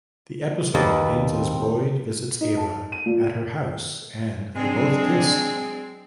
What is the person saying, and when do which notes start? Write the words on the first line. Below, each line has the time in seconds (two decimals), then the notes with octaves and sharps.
The episode ends as Boyd visits Ava at her house and they both kiss.
0.75 D#2 B4
1.29 C4
2.41 D#4
2.57 A5
2.92 D#7
3.06 A#2
4.56 F#3 G#3 C4 D4 G#4